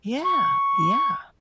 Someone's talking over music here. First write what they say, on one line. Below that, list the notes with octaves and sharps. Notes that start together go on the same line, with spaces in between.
Yeah. Yeah.
C#6